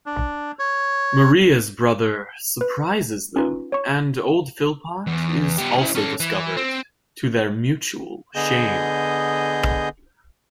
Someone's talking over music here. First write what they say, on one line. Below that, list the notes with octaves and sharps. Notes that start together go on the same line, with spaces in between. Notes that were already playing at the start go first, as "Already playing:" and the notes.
Maria's brother surprises them, and old Philpot is also discovered, to their mutual shame.
D4
C#5
B4
C#4 D#4 F4 B4
C#5 C#6
E2
B3 G4
C#4 E4
C#4 A4
E3
C4
D3 B3 G#4 D#5 G6